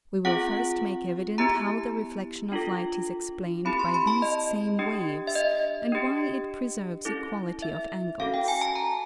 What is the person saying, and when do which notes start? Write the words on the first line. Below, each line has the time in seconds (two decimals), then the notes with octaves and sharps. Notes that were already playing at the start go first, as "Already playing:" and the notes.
We will first make evident how the Reflexion of light is explained by these same waves, and why it preserves equality of angles.
0.25 C4 F4 G#4 F#5
1.38 B3 E4 G4 A#5
2.52 D4 F4 A4
3.65 C4 E4 G4 B5
3.79 C6
3.94 B5
4.07 A5
4.22 D#5
4.79 D4 G4
5.27 E5
5.35 D#5
5.92 D4 G4
7.05 C#4 E4 A4
7.62 E5
8.20 C#4 F#4 A4 F5
8.34 G5
8.48 G#5
8.61 A5
8.75 A#5